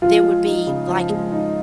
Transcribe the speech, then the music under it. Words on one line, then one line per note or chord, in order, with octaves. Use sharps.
there would be, like,
F3 F4
G#3
D#4
C#3
F3
G#3
D#4